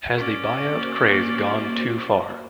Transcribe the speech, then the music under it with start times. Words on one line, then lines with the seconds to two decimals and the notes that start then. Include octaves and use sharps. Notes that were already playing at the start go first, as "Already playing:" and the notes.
Has the buyout craze gone too far?
0.16 C#4 D5
0.71 A#3 F#4 C5